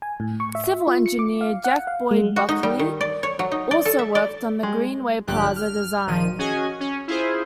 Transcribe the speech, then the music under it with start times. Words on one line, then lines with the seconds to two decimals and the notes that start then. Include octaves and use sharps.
Civil engineer Jack Boyd Buckley also worked on the Greenway Plaza design.
0.02 G#5
0.20 A2
0.40 C#6
0.55 E5
0.87 F4
1.06 C#7
1.19 D6
1.41 F5
1.64 F#5
1.87 F5
2.11 G#3
2.36 F#4
2.49 D#4
2.63 G3
2.79 D#3
3.01 D5
3.23 C#5
3.39 F#3
3.52 D#4
3.71 D5
3.85 A4
3.99 E5
4.15 D5
4.63 G#3
5.27 A#1 G2 D3 G3 G4 F#6
5.56 F6
6.07 G#1 A#2 D#3 F3 D#7
6.39 C#4 F#4 G#4 D#5 G#5
6.80 C#4
7.08 E4 F4 G#4 C5